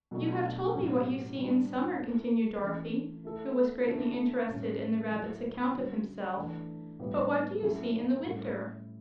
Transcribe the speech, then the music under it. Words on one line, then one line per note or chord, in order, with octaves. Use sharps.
"You have told me what you see in summer," continued Dorothy, who was greatly interested in the rabbit's account of himself, "but what do you see in the winter?"
B2 F#3 A3 D4 F#4
A2 F#3 C#4 G4
D3 G3 D4
A3 E4 A4
E3 A3 C#4
A3 E4 A4
D3 A3 C#4 E4
A2 G3 C#4
F#3 A3 E4
D3 G3 C#4 F#4
E3 A3 D4 A4
A2 G3 B3 E4
F#3 A3 C#4 E4
A2 G3 C#4 E4